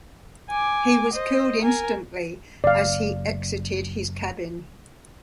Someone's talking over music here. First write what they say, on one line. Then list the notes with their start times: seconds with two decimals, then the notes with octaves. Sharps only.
He was killed instantly as he exited his cabin.
0.50 G#5 D6
1.14 C5 D#5
1.63 A#4 G#5
2.64 F#1 D5 F5